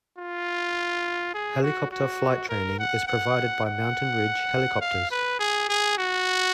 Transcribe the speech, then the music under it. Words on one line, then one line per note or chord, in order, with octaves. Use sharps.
Helicopter flight training is provided by Mountain Ridge Helicopters.
F4
G#4
F#4
F#4
A#4
F#5
F#5
F#5
F5
B4
G#4
G#4
F#4